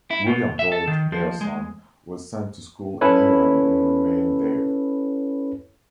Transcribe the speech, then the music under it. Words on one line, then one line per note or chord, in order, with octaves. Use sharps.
William George, their son, was sent to school in England and remained there.
E4
B2
E5
A4
D#3
F3
G#3
C#4 E4 A4 B4 C#5